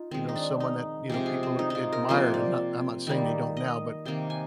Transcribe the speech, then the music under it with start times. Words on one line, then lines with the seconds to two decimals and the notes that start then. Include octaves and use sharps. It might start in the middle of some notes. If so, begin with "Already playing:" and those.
you know, someone that, you know, people ad admired, and not I'm not saying they don't now, but
Already playing: D#4 F4
0.11 D#3 G#3 C4
0.29 D#4
0.36 D4
0.60 D#4
1.09 C3 F3 G#3 G4
1.26 G#4
1.43 C4
1.59 D#4
1.70 D#4 F4
1.93 A#4
2.09 C3 F3 A#3 C5
2.34 D5
3.07 D#3 G3 A#3
3.57 D#5
4.05 C3 D#3 A#3 G5
4.30 G#5